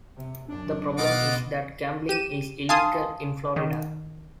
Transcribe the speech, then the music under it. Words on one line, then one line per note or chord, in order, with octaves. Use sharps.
The problem is that gambling is illegal in Florida.
C3
F#2 D4
B2 F4 B4 D#5 F#5 D6
G4 D#7 E7
F5 G#5 A5 C6 D#6
D#3